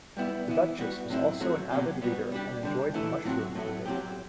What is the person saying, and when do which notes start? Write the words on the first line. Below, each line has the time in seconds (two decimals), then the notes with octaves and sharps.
The Duchess was also an avid reader and enjoyed mushroom hunting.
0.17 G3 B3 E4
0.48 E3 B3 E4
0.79 G3 B3 F#4
1.09 A2 F#3 C4 E4
1.40 F#3 A3 C4 F#4
1.71 B2 F#3 C4 G4
2.02 G3 B3 F#4
2.32 G3 D4 G4
2.63 D3 G3 D4
2.94 E3 A3 E4
3.25 A2 F#3 C4 F#4
3.55 A2 F#3 A3
3.86 F#3 C4 G4